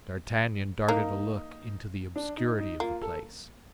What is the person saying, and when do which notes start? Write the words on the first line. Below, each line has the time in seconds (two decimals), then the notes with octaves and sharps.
D'Artagnan darted a look into the obscurity of the Place.
0.88 A#3 D#4
2.16 D4
2.37 D#4
2.59 D#4
2.80 A#3 F4
3.02 A4